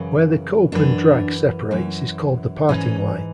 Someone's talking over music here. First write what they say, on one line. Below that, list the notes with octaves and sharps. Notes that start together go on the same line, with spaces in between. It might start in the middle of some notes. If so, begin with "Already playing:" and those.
Where the cope and drag separates is called the parting line.
Already playing: F#2 C#3 E3
F#2 E3 D4
F#2 E3
G#2 E3 C#4